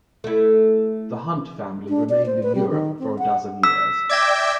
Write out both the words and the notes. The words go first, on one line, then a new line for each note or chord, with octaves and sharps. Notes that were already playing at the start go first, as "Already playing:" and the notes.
The Hunt family remained in Europe for a dozen years.
A3 E4
D4
D5
C5
B4
G3
D#3
C4
F#5
E6 B6
D5 E5 G5 D6 G#6 A#6